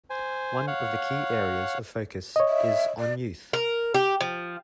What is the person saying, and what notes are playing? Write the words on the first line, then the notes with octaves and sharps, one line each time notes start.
One of the key areas of focus is on youth.
C5 G#5
C#5 F5 F#5
C#5 D#5
E5
D5
A#4
G4
F3